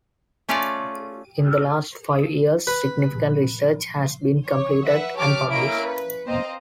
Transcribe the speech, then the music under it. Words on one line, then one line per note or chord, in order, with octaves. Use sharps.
In the last five years significant research has been completed and published.
A3 C#4 F4 D5 F5
B4
C#5
B4 E5 F#5
G4 C#5 A5 D6 F6 D7
A#3 C#4 E4 D#5 A#5 D7
B4
C4 C5 D#5 F5 A#5